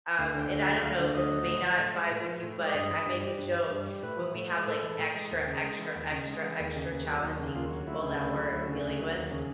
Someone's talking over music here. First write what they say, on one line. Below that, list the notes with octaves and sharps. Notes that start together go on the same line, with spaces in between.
um" and I don't know, this may not vibe with you, but I make a joke, when we have, like, extra, extra, extra, extra challenging people that we're dealing with.
D2 F5
D3
G5
D2
F#5
F#3
D2 F5
D3
D2 D#5
F#3
A2
F3
A2
G#3
A2
F3
A2
G#3
D5
G2 D#5
E3
G2
G3
G2
E3
G2
G3
A2 B4
E3
A2
G#3
A2 A4
E3
A2
G#3
D#2
C#3
G#3
E3
D#2
C#3
G#3
E3
D#2
C#3
D#2
F#3
D#2 D#4
C#3
D#2 F4
F#3
D2 E4
C#3
D2
F#3
D2
C#3
D2
F#3
D#2
C#3